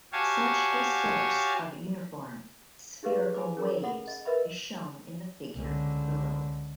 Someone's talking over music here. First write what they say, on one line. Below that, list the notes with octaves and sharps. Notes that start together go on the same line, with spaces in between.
Such a source of uniform spherical waves is shown in the figure below.
F#4 G4 C#5 F5 G#5 A5
D#4 G4 G#4 B4 F5
G#5 B5 D6
C#4 G#4 A#4
A4 F#5 B5
D#5
A#4 B4 D#5 E5 B5
C#2 D3